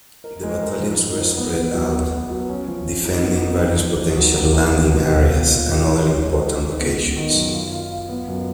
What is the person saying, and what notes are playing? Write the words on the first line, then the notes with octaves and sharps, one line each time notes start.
The battalions were spread out defending various potential landing areas and other important locations.
A#4
G#3
A#4
F2
D#4
F2
B3
B3
F#3
B3
B3
F#3
C#4
F3
F3
D#4
B3
D#4
F3
F3
F3
F#3
A#3
A#3
B3
B2
B3
F4
A#2
F3
C#5
C#5
G#3
G#3
D#3
B3
B3
D#3
F#2
F4
F4
F4
B3
F#2